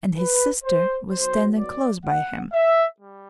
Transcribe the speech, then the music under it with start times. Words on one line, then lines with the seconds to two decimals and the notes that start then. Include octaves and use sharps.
And his sister was standing close by him.
0.17 B4
0.64 C5
1.11 B1 B2 F#3 C5
1.58 D5
2.06 F#5
2.53 E5
2.99 G3